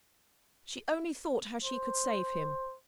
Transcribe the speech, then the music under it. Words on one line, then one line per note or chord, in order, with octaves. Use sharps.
She only thought how she could save him.
C5